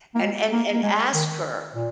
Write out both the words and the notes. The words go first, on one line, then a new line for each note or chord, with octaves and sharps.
And and and ask her.
A#3
G#3
A#3
A#3
G#3
D#3
A#2